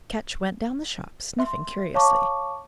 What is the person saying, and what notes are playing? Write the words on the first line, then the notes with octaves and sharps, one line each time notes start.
Ketch went down the shop, sniffing curiously.
E5 C6
C#5 F5 A5 C#6 D6